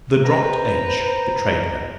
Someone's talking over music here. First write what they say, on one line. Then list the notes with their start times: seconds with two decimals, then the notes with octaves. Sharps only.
The dropped "h" betrayed her.
0.25 B4 C5 A#5